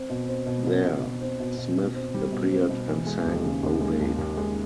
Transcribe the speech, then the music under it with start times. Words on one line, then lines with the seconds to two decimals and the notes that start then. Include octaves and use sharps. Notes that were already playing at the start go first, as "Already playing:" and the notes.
There, Smith appeared and sang "Oh, Babe".
Already playing: C4
0.10 B2
0.28 C4
0.46 B2
0.66 B2
0.83 B2
1.03 B2
1.21 C4
1.40 B2
1.58 B2
1.77 B2
1.95 C4
2.14 G3
2.32 B2
2.51 C4
2.69 B2
2.88 E3
3.07 G#3
3.26 D#2
3.44 C#3
3.63 D#2
3.81 G#3
4.00 D#2
4.18 D#2
4.37 G#3